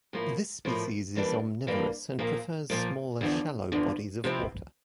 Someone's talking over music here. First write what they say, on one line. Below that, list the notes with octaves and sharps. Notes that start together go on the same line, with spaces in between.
This species is omnivorous and prefers smaller shallow bodies of water.
A2 F3 A#3 E4
A2 F3 A#3 E4
F2 E3 G3 A#3 D4
F2 E3 G3 A#3 D4
A#2 F3 A#3
A#2 F3 A#3
E2 D3 F3
E2 D3 F3
C3 F3 C4 E4